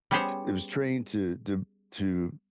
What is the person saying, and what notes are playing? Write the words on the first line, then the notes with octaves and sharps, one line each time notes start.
It was trained to to b to
G3 B3 C#4 G#4 C5 C#5